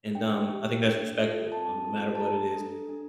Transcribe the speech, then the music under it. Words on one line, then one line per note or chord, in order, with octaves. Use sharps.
and, um, I think that's respectable, um, no matter what it is.
D4 G5
G4
D4
F4 A4
C4 A5
F4 A4
A5
A3 A#5
D4 A4
D4